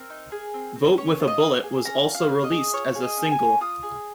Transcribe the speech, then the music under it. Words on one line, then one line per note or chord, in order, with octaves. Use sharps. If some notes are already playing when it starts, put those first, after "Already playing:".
"Vote with a Bullet" was also released as a single.
Already playing: C4 A#4
D#4
G#4
C4
C4
C#4 C#5
F4
D#5
A#3
G#4
C#4 A#5
F4
F5
A#3
D#5
G#4
F4 C#5
G#4
D#5
C#4
G#5
C#4
F4 D#6
G#4